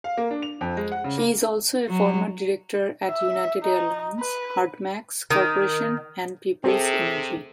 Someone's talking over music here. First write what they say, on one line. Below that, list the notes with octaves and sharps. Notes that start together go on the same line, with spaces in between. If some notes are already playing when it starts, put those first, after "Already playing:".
He is also a former director at United Airlines, Hartmarx Corporation and Peoples Energy.
F5
A#3
D4
F7
F2
G#3
F#5
C#3
A#3
F#3
E5
D#4
B4
D#3
C3 C4 G#4 A4